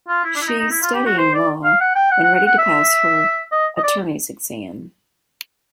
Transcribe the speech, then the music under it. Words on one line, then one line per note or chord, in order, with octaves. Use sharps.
She's studying law and ready to pass her attorney's exam.
F4
E4
D4
E4
D#4
D#4
E4
F4
G4
F#4
C5
D5
F5
F#5
G5
F#5
F#5
F#5
F#5
E5
D#5
D#5
D5